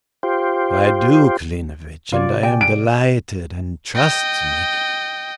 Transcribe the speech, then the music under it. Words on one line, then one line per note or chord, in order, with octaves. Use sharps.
"I do, Klinevitch, and I am delighted, and trust me...."
F4 G4 C5
C3 F4 C#5 D5
G5 G#5
D7
D#5 G5